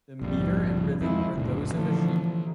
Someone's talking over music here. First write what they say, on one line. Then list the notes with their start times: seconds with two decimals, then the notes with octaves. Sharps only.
The meter and rhythm are those of a gigue.
0.21 A#1 F2 G#2 G3
1.01 F2 G#3 E4
1.34 F#1 D2 A#2
1.74 D3 E3 F3 A3